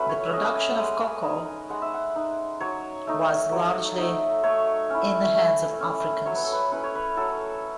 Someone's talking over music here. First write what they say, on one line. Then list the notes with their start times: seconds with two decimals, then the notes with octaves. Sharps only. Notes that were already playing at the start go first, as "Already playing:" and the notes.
The production of cocoa was largely in the hands of Africans.
Already playing: F#3 A3 C#4 B4
0.09 C#5
0.33 A3 C#4 D#5
0.55 G#5
0.72 F#5
0.78 G#3 G#5
1.23 D#4 D#5
1.70 G#3 F#5
1.82 E5
1.94 F#5
2.16 D#4
2.60 F#3 C#5
3.07 A3 D#4
3.52 F#3
3.98 A3 D#4
4.43 A3 C#5
4.90 C#4 E4
5.35 A3
5.80 C#4 E4
6.26 F#3 C#5
6.35 B4
6.44 A4
6.52 B4
6.72 C#4 E4 B4
6.83 C#5
6.95 B4
7.17 F#3 A4